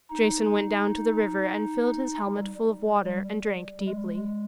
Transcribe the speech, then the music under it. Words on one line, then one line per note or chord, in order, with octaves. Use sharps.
Jason went down to the river and filled his helmet full of water and drank deeply.
D#4
G3
G3
G#3